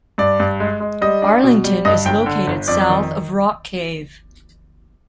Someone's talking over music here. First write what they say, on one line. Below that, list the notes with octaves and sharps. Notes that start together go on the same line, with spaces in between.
Arlington is located south of Rock Cave.
G2 D5
G2
G#3
G#3
G3 D#5
D4
B2
G3
G2 D#5
G1 G5
D3
G1
F2 D5
D#3